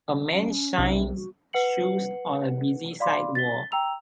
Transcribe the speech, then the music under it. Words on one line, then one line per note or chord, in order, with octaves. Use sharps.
A man shines shoes on a busy sidewalk.
C#4
B1 C3
F#4
B4 F#5 C7 C#7 F#7
D5 F5 B5 C6 D6
A6 B6 G7
G5 A#5 E6 F7